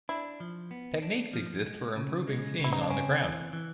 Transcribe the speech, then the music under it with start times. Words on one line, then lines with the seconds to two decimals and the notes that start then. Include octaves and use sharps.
Techniques exist for improving seeing on the ground.
0.09 D4 E4
0.40 F3
0.71 B3
1.02 D4
1.33 F3
1.65 G#3
1.96 C#3
2.27 G#3
2.59 C#3
2.64 E4
2.73 D#4
2.81 D4
2.90 C4 C#4
3.22 E3
3.53 E3